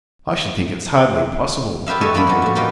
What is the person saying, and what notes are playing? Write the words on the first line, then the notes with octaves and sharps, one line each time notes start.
"I should think it hardly possible," he admitted.
F4 G4 B4 E5 F5
A4 C#5 D#5 E5 G#5 A5
E2 A#3 C#4 D4 B4 B5
F3 F#3
A2 F#4
E3 G3 A#3 D#4 F4 B4